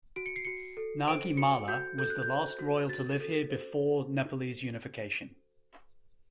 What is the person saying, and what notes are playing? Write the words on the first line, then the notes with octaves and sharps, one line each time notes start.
Nagi Malla was the last royal to live here before Nepalese unification.
F#4 D7
C#7
C7
F#4 C#7
A4
C5 D7
F#4 C#7
F#4 G6
A4 G6
F#6
G6
C5
F#4
F#4 A6
A4
C5